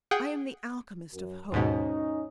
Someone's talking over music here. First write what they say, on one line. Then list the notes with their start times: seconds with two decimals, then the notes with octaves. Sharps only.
I am the alchemist of hope.
0.11 G#4 F#5 G5
1.12 F#2
1.52 D#2 G#2 B2 C#4 D#4